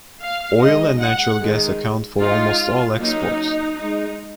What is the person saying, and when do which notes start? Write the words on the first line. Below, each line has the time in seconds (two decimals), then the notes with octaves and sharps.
Oil and natural gas account for almost all exports.
0.21 F5
0.61 G#3 D#4 D#5
1.01 F#5
1.41 D#3 G#3 D#4 G#4
2.20 G#3 D#4 F4
2.99 F#3 A#3 C#4 D#4
3.78 G#3 D#4